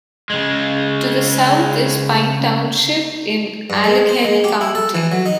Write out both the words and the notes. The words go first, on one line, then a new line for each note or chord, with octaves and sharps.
To the south is Pine Township in Allegheny County.
C#3 G#3
G2
G#3
C5
G#3
G4
E4
A4
E3
F#3
D#4